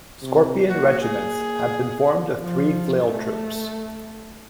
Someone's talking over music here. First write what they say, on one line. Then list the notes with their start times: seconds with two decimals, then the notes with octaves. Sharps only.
Scorpion regiments had been formed of three flail troops.
0.22 C3
0.68 A#3 F#4
1.01 G#4
2.42 F3
3.02 A3